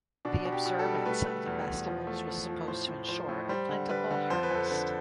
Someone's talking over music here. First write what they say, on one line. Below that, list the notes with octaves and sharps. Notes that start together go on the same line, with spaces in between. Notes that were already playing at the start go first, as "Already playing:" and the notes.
The observance of the festivals was supposed to ensure a plentiful harvest.
B2 D4
B2
G4
B2
A4
G3
A3 B4
A3
E2
E2
F3
A3
F3
F3
A2 C5
A2
F3 C5
A2
G3 C5
D3
G3 B4
D3
F2 C5
B4
F2 A4
D3 B4